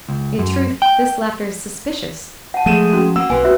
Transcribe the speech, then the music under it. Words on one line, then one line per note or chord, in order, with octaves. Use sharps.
In truth, this laughter is suspicious.
C#2
F#2
G5
F#5 A5
F3 G#3 A3 G#4 D#7 E7
C#4 F#4 C6
A#3 F#5 E6
B1 A#3 B4 G#5 C6
F#4 C#5 E5